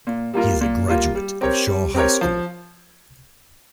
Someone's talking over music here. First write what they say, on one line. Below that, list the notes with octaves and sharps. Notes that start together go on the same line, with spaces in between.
He is a graduate of Shaw High School.
A#2
G3 A#3 F4 A#4
A#2
G3 A#3 F4 A#4
G3
C4 G4 A#4 C#5
G3
C4 G4 A#4 C#5
F3